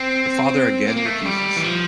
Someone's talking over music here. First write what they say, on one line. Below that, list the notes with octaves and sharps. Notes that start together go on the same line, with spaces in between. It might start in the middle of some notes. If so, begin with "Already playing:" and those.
Her father again refuses.
Already playing: C4
A#3
A#3
A3
G3
E3
F3